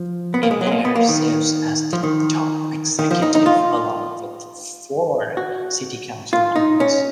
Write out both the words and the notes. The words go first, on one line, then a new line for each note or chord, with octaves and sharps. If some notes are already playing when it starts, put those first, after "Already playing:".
A mayor serves as the top executive along with four city council members.
Already playing: F3
B3
A#3
G#3
F#3
G#3
A#3
B3
A#3
D#3
F3
D#3
D#3
F3
D#4
D#4
F4
F#4
F4
D#4
C#4